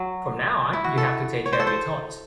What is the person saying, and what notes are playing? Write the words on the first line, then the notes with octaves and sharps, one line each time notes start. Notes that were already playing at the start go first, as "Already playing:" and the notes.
From now on you have to take care of your toys.
Already playing: F#3
E4
F#4
A4
C#5
C5
A4
C5